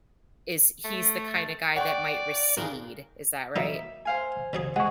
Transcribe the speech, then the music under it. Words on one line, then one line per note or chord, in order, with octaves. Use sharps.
is he's the kind of guy that might recede, is that right?
A3
A6
D5 F#5 G5 C#6
D#1 G#4 A#4
F#3 A#3 D#4 E5
C5 F5 G#5
C#3 F#3 G#4
G#3 G#4 F#5 C#6